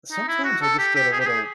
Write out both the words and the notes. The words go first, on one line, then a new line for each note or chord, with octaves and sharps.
sometimes I just get a little
D#4
E4
F#4
A4
G4
G4
G#4
G4
G#4